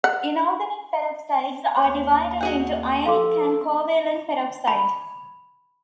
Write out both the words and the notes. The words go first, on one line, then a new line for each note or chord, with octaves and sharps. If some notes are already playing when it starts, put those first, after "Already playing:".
Inorganic peroxides are divided into ionic and covalent peroxide.
F#5
D#2 C5 C#5 D6
D4 F#4 G#4 F#5
F3 A4 F5 C6 D6
B5